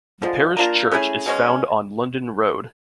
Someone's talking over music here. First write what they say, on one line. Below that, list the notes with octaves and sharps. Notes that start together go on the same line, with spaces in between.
The parish church is found on London Road.
D3 F3 G#3
A#3 D4 F4 A#4
A3 C#4 E4 G#4
B2 G#3 C#4